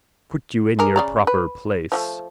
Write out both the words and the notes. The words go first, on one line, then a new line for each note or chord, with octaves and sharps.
Put you in your proper place.
D4 G#4 A#4
C#3 D5 A#5
B4
F3 G3 A3